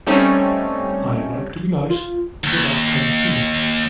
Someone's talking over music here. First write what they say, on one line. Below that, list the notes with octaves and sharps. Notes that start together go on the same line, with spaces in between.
I like to be nice, and all that kind of thing.
G3 A3 C4 C#4 D#4
F4
D#2